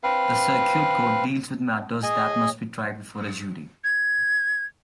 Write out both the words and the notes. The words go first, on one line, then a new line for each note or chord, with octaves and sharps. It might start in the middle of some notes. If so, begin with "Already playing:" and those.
The Circuit Court deals with matters that must be tried before a jury.
C4 B4 F5
G#4 D#5 G#5
G#6